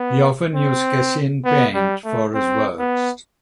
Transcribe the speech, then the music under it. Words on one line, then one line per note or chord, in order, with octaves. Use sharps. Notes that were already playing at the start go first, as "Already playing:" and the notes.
He often used casein paint for his works.
Already playing: B3
C4
B3
G3
A3
C4
B3